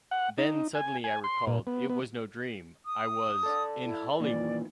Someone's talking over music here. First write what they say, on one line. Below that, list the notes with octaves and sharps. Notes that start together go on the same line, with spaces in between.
Then suddenly I recalled, it was no dream: I was... in Hollywood!
F#5
D#4
G#5
G#5
C6
A#2
B3
B3
D#6
A4 D5
E4
A#2 D#3 E3 D5